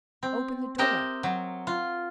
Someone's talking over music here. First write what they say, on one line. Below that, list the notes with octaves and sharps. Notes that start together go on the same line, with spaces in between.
Open the door.
C4
C4 G4 A#4 D#5 E5
F#3
F4